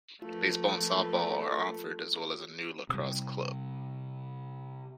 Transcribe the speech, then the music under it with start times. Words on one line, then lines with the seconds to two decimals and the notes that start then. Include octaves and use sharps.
Baseball and Softball are offered as well as a new Lacrosse club.
0.22 F3 A3 A#3 F4 B4
2.89 C3 G3